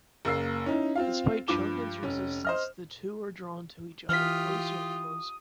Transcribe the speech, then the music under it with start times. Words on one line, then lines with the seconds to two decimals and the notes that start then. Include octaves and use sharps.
Despite Shunkin's resistance the two are drawn to each other closer and closer.
0.25 F#1 A#3 E6 C7
0.66 C#4 D#4 E4
0.96 C4 F4 F5
1.48 G2 F3 D6 E7
2.03 F1 C#4
2.45 C5 D#5 F6
4.09 E3 F4 G4 D#6 F6 B6